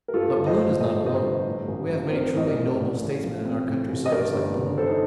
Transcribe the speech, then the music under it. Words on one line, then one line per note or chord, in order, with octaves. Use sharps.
But Balloon is not alone, we have many truly noble statesmen in our country's service like Balloon.
A#4
G2 F4 A4
G1
C5 D#5
F3
A3 D#5
G2 C5 D#5
G1
A2
A1
F3
C5
C4 A#4 D5
A2 D#5
A#4 D5
A1
A2
A1
F3
C4
A2
A1
D#5
G2 A#4 D5
G1
D3
G1 A4 C5
D#4